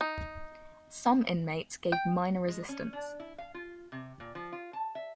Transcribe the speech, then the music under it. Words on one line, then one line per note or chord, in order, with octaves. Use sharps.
Some inmates gave minor resistance.
D#4
G5
G#3
C#4
D4
E4
F5
F4
C3
A#2
F3
F4
A5
E5